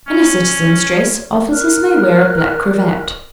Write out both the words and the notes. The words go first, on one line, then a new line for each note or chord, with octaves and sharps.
In a citizen's dress, officers may wear a black cravat.
C#4
A#4 F6 F#6